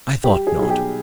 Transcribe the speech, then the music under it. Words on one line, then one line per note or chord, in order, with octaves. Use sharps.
I thought not.
G3 G4
G#4
B1 G#4
G4